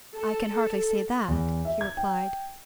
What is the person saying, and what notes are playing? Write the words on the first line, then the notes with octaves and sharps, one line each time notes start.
"I can hardly say that," he replied.
A4
E2
E5
G#6
G5